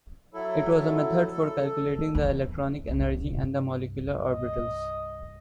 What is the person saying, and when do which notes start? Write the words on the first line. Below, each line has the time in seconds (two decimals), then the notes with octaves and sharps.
It was a method for calculating the electronic energy and the molecular orbitals.
0.34 F#3 E4 A4
1.31 A4
2.15 E2
2.87 C2 G2
4.25 D#5